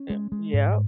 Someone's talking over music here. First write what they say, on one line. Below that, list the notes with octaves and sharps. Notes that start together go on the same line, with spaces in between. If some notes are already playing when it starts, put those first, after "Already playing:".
Yeah yep.
Already playing: C#4
G#3
G#3
G#2